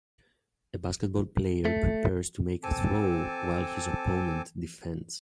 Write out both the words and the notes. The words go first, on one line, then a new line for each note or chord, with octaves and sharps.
A basketball player prepares to make a throw while his opponent defends.
A3
C4 A4 G#5 A5 D6